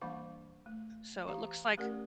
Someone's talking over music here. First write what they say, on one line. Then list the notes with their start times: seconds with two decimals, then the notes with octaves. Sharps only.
so, it looks like
0.01 E3 G3 A#3 D4 F5 B5
0.66 A3
1.27 E3 G4 F5 A#5
1.78 A3 C#4 G4 A#4 D5 F#5